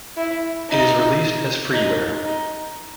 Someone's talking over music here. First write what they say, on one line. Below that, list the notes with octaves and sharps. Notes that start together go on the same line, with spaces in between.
It is released as freeware.
E4
D#4
D#4
D#4